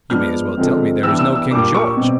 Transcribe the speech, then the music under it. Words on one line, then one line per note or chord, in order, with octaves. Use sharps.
You may as well tell me there is no King George.
F3 G#3 B3 D4 F6
D3 F3 G#3 C4
E3 G3 B3 D4 E6
E6
E6
A#2 G3 A#3 D4 D6
C#6
B2 G3 C4